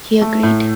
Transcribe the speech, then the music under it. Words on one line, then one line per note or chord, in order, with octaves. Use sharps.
He agreed.
A3
A2